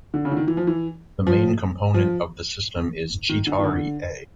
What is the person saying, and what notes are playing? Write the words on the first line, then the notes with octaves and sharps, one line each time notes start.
The main component of the system is Chi Tauri A.
D3
C#3
D3
D#3
E3
F3
E3
F3
F3
D#3
D3
D#3
D3